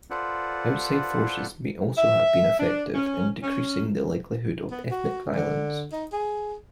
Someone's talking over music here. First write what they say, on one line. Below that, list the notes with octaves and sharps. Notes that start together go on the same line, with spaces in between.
Outside forces may also be effective in decreasing the likelihood of ethnic violence.
F4 A4 B4 C5 D5 F#5
E5
D4
C#4
C#4
B3
F#4
D3
D#4
G#4